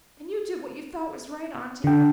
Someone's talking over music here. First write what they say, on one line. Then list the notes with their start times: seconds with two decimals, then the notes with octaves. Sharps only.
And you did what you thought was right, Auntie.
1.84 D3 D4 G5